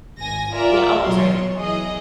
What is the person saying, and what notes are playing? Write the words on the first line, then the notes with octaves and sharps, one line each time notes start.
Yeah Oh, I'm sorry.
G#1 G#5 A#6
F4 A#4 D5 E5
B2 F#3 C#5 C6
E3 G#4 D#5